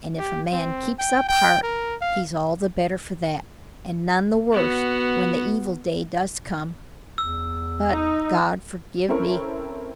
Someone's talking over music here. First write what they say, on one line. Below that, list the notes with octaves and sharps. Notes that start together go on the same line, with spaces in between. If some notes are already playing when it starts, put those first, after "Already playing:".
And if a man keeps up heart, he's all the better for that, and none the worse when the evil day does come. But, God forgive me!
G4
C4
G5
G5
A#4
F5
B3 F#4
E2 E6
D#4 D#5
C4 C#4 E4 A4 A#4 C#5